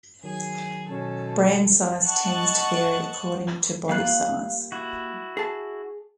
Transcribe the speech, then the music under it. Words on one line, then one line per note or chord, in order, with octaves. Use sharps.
Brain size tends to vary according to body size.
D#3 F#3 G#4
B2 C#4 A4 A5
D#5 F#5 A5 C#6 F#6
G3 A#3 F4 F5 F#6
E4 F#4
G#4 A5